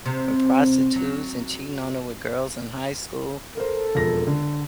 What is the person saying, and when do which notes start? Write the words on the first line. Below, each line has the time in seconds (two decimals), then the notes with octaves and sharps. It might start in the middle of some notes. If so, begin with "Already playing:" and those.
with prostitutes and cheating on her with girls in high school,
0.06 C3
0.96 F#3
3.57 A4 A#4 C5
3.95 E1 F2 A#6
4.27 D3